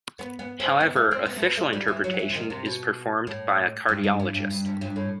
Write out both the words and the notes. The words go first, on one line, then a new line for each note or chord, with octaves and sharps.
However, "official" interpretation is performed by a cardiologist.
B3
B3
C4
B3
A3
C4
B3
A3
B3
A3
G3
E3
F#3
E3
C3
D#3
C3
B2
A2
G2
G2
G2
G2
G2
G2
G2
A2